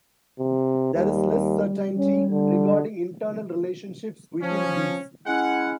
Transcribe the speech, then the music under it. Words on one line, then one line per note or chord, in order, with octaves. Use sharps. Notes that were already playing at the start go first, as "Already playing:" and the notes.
There is less certainty regarding internal relationships within these.
C3
D#2 G3
C#4
D3
F3 C#4
G#3 C#4 E4 F#5